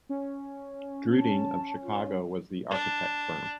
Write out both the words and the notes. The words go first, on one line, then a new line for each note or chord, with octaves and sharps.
Druiding of Chicago was the Architect Firm.
C#4
A5
F4
D4